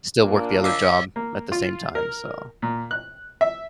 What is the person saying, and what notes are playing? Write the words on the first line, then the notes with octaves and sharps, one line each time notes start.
still work the other job at the same time. So
A#2 A#3 D4
D#5 F5 D6 E6
A#3
F4
A#4
A#2
F#6
E5